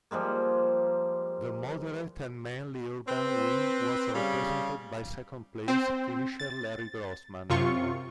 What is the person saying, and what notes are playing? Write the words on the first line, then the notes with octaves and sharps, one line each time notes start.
The moderate and mainly urban wing was represented by second-place finisher Larry Grossman.
F3 G3 G#3 A#3
C4 B4
C#3 G3 F5
C4 C5
A6
F#2 C3 F4 C#6